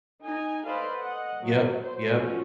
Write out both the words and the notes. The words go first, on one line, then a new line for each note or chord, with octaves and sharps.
Yep, yep.
D#4 G#5
A4 B4 C5 D5 D#5 F5
D#5 F#5
F#3
C5
F3 A3 C#4 F4 F#4